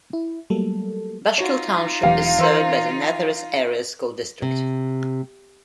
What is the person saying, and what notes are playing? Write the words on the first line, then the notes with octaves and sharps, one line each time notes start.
Bushkill Township is served by the Nazareth Area School District.
E4
F#3 G3 A3 A#3 A4
D#4 F4 F#4 C#5
E1 E3 F#3 G4 F5
E3 A#4 C5 E5
C3